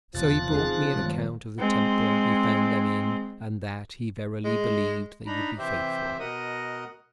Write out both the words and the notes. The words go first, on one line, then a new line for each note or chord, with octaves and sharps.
So he brought me an account of the temper he found them in and that he verily believed they would be faithful.
F1 E2 C3 F3 F#6 A6
C4 D#4 G#4
G2 D#3 F#3 G#3 B3
G#3 C4
G#3
D4 D#4 A#5 B5
C3 E3 G4 C5 E5
B2 A#4 D#5 F#5 D#6